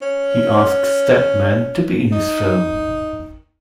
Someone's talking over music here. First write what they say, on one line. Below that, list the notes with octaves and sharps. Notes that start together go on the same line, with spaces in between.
He asked Steadman to be in his film.
C#4
D#4